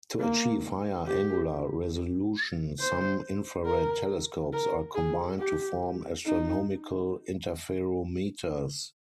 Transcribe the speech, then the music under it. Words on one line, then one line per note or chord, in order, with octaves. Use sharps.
To achieve higher angular resolution, some infrared telescopes are combined to form astronomical interferometers.
A#3
G4
C5
A#4
A#4
G#4
G4
D#4